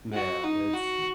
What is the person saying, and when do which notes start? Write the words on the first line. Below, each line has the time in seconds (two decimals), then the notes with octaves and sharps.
man, it's
0.13 F#4
0.44 D#4
0.73 F#4